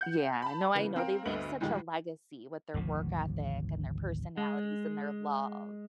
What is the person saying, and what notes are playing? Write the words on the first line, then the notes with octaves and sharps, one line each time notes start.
Yeah, no, I know, they leave such a legacy with their work ethic and their personalities and their love.
F#5 G6
A5 B5
C#3 E3 B3
C4 A#4 F5 D7
D2 G2 D3 B3 D#5 F#7
D#2 A#2 D#3 F3 G3 G#3
G#1 D2 C3 F3
G#3